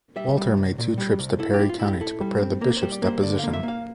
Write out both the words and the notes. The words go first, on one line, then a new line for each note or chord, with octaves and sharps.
Walther made two trips to Perry County to prepare the Bishop's deposition.
G3 E5
G3
C2
A#2
G3
C2
E4 A4
G4
E4
F4
E4
G4
E4 A4
G3
C4
A#3 A#4
G3 C5
D5
A#3 C5
D3 D5
A#3 F5
E5
A#3
F5